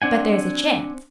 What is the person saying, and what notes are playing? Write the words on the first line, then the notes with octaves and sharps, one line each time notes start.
"But there's a chance?"
C4 D4 F#5 G#5